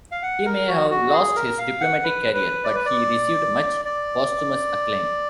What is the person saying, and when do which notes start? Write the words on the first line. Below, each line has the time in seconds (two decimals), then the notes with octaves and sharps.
He may have lost his diplomatic career but he received much posthumous acclaim.
0.12 F5
0.23 F#5
0.46 A#4
0.68 F#4
0.91 F#4
1.12 G#4
1.36 A#4
1.58 F5
1.81 F#5
2.03 B4
2.34 B4
2.64 D5
2.75 B4
2.86 D5
3.85 D5